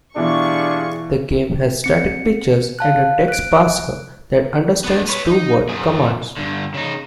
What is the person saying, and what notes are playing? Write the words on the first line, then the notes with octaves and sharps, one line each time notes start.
The game has static pictures and a text parser that understands two-word commands.
B2 E3 D4 F4 G4 G#4 C#6
C4 C#7
F5 A5 F#6
F#6 D7
B3 D4
B4 C#5
D#4
F#2 G#4
G2 D3
C#3 D#4